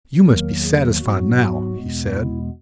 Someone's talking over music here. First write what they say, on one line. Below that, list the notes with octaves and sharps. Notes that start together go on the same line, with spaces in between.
"You must be satisfied now," he said.
E2 D#3 F#3 A#3 A#4
G#4
G#2 F#3 B3 F#4
E2 B2 G#3 B3
E4